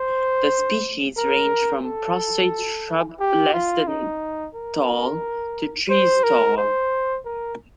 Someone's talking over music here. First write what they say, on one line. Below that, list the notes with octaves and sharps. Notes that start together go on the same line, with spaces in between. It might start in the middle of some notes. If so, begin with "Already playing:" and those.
The species range from prostrate shrubs less than tall to trees tall.
Already playing: C5
A#4
A4
G4
F4
D#4
A#4
C5
A#4
C5
A#4